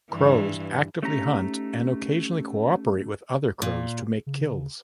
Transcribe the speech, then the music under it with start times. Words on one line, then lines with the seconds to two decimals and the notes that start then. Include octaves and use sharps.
Crows actively hunt and occasionally co-operate with other crows to make kills.
0.11 G2 E3
1.03 A3 C#4 D#4 G4 F5 A#5
3.62 A#2
4.27 C#3